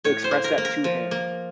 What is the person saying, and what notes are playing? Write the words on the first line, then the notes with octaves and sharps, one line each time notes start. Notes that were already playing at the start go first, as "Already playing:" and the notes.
express that to him,
A2 C#5
C5
A#3
A#4
A#3
A#4
F3
A#3